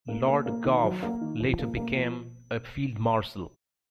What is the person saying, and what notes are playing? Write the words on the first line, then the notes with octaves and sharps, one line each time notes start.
Lord Gough later became a Field Marshal.
A#3
A#3
A#3
D#3
F#3
A#3
D#3
F3
A#3
A#3
F3